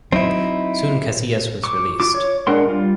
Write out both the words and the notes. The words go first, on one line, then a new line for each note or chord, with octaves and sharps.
Soon Casillas was released.
F#3 C4 D#4 E4
C#6 D6
F4 D6
C#5
G#3 D4 A#4 F#5 C6
G3 F4